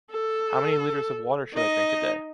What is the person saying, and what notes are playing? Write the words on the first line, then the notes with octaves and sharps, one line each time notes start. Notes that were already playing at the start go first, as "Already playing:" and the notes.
How many liters of water should I drink a day?
A4
D#4 D#5